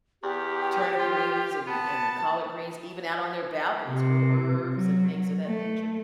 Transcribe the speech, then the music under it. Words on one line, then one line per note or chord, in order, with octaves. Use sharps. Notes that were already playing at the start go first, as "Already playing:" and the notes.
turnip greens and and collard greens even out on their balconies, grow herbs and things of that nature.
E2 G4
F4
B3 A5
C3
F#3
A3